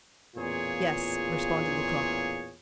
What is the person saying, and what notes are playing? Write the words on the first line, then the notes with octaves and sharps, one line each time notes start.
"Yes," responded Lecoq.
A1 E2 A#2 F4 G#4 C#5